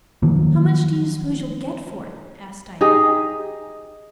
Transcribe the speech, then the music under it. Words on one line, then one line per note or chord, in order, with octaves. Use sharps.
"How much do you suppose you'll get for it?" asked Diana.
D#3 F3 F#3 A#3
D#4 G4 G#4 D#5